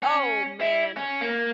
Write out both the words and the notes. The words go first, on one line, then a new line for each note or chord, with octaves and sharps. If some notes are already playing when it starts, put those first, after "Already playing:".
Oh, man.
C#4
E4
C#4
A#3